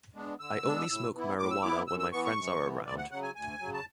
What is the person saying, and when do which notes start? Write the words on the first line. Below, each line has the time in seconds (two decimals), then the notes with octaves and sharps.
I only smoke marijuana when my friends are around.
0.15 G#3 B3 D4
0.40 D3 E6
0.64 G#3 B3 D4
0.89 A2
1.13 E3 B3 E4
1.38 A2 D6
1.50 E6
1.63 E3 B3 E4 D6
1.87 F#2 E6
1.99 E6
2.12 E3 B3 C#6
2.25 C#6
2.37 F#2
2.61 E3 B3
2.86 D2 D5
2.98 F#5
3.11 C#3 F#3 F#5
3.23 G#5
3.35 D2 G#5
3.59 C#3 F#3
3.74 A5